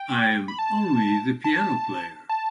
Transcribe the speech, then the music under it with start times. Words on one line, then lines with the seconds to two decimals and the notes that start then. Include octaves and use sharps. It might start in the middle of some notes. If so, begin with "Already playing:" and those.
I'm only the piano player!
Already playing: G5
0.48 B5
0.59 A5
1.44 A5
2.29 A5